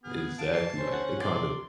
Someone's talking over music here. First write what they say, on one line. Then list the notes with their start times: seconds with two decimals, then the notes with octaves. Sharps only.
Exactly, like, they kinda
0.04 B3 G#4 F6
0.38 F5 A5 D7
0.53 E3 C7
0.78 C#4 C5
0.92 F#5
1.20 C3 D5 C6